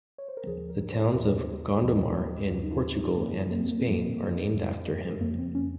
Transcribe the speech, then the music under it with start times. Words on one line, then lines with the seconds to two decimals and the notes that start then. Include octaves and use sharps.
The towns of Gondomar in Portugal and in Spain are named after him.
0.18 C#5
0.28 C5
0.37 A#4
0.46 D#2 C#3 F3 G#4
0.70 A#4
0.86 A#4
0.92 C5
1.06 A#4
1.14 D#2 C#3 F3 C5
1.83 D#2 C#3 F3
2.49 D#2 C#3 F3 F4
2.63 D#4
2.72 F4
2.96 D#4
3.03 F4
3.10 D#4
3.17 F2 C#3 F3 A#3
3.51 A#3
3.60 C4
3.69 A#3
3.77 C4
3.85 F2 C#3 F3 A#3
4.54 F2 C#3 F3
5.21 F2 C#3 F3 A#3
5.38 C4
5.55 C#4